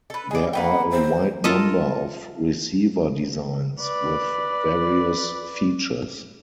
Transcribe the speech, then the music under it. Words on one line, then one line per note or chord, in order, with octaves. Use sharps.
There are a wide number of receiver designs, with various features.
A4 B4
G#4 D5 D#5
A#3 B4 F#5 G5
C5
F4 A4 A#4 D#5
B4 D5